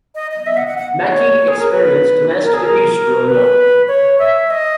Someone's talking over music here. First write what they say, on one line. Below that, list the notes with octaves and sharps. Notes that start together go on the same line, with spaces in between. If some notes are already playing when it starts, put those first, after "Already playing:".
Mekki experienced domestic abuse growing up.
D#5
D#5
E5
F#5
F#5
F#5
C#5
G#4
A#4
B4
A#4
G#4
A#4
B4
C#5
E5
D#5